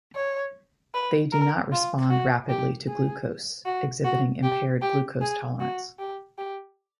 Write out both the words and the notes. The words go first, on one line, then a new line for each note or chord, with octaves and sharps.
They do not respond rapidly to glucose, exhibiting impaired glucose tolerance.
C#5
B4
A#4
F4
F#4
G4
G#4
F#4
F#4
G4
G4
G#4
F#4
G4
G4